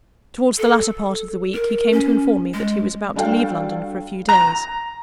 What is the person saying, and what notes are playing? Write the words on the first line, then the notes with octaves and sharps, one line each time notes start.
Towards the latter part of the week, he came to inform me that he was about to leave London for a few days.
A4
A#4
C#4
G#3
G3 D4 F#4 A4 F5 G5
A#5